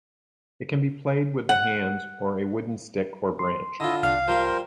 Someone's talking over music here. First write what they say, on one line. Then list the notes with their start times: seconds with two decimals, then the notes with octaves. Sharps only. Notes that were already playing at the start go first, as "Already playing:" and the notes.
It can be played with the hands or a wooden stick or branch.
1.49 F#5
3.39 C6
3.80 D3 E4 F4 D#5
4.03 C2 D4 F5 F6
4.28 F3 G3 A#4 C5 B5